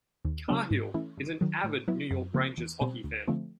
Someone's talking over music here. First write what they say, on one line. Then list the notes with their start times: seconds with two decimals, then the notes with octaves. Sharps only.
Cahill is an avid New York Rangers hockey fan.
0.25 D#2
0.48 C#3 F#3 B3 D4
0.71 G#2
0.94 E3 A3 C#4 E4
1.17 G2
1.41 D#3 F#3
1.64 A2
1.88 F#3 B3 E4
2.11 F#2
2.34 C#3 F3 A#3
2.58 E2
2.81 B2 G3 C4
3.04 D2
3.28 D3 F3 A3 C4